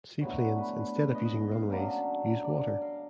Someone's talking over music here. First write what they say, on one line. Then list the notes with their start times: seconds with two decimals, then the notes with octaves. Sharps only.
Seaplanes, instead of using runways, use water.
0.21 A2 F#3 B3 D4 C#5
0.58 B4
0.96 B4
1.15 D#5
1.52 F5
1.70 C#3 F#3 A#3 D4
2.44 D5
2.63 D#5
2.82 F5